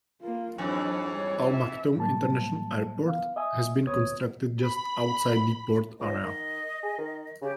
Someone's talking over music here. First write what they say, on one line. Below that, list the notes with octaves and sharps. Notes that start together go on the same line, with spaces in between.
Al Maktoum International Airport has been constructed just outside the port area.
A#3 F4
F2 G#2 E3 F#3 D4
G3 C#5
E5
A2 F#3 G3 A#3 A5
B3 F5
D#5 E5 G#5 D#6
D2 B3 C#5 D#6 G#6
B5
C#2 D#5
D#3
G#4
D#3
C#3 G4